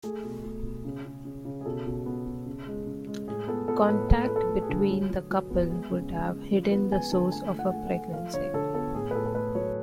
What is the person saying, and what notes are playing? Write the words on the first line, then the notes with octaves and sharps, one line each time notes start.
Contact between the couple would have hidden the source of her pregnancy.
A3 G#4
B2
A3
B2
C#3
C#3
C#3
C#3
G#4
B2 A4
B2
B3
B2
C#3
G#3
C#3
G#3
A2 G#4
B3 A4
B3 A4
A2 B4
A3 A4
A3 B4
A4
A3
G#4
D3
F#3
F#3
F#3
B3
G#3 G#4
C#3
G#3
C#3
F3
B3 B4
G#3 G#5
D3 A5
A3 G#5
A3
F#5
A3
F#5
A3
F3 F5
D3 C#5
D3 A4
B3 A4
A2 G#4
B4
A2 A4
A4
A3 B4
F#3 C#5